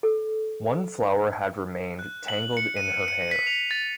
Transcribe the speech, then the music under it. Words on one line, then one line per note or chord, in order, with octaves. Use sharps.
One flower had remained tangled in her hair.
A4
F#6
F#7
C#7
D#7
C#7
B6
F7
A6